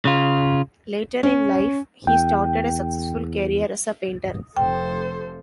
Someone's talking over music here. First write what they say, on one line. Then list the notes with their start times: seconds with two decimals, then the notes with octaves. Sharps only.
Later in life he started a successful career as a painter.
0.05 C#3 F4
1.23 C#4
2.07 E2 G5
4.57 F1 F3 A4 C5 G5